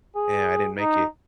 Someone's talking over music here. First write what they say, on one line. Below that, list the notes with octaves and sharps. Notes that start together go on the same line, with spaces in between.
and I didn't make it.
G#4
D#4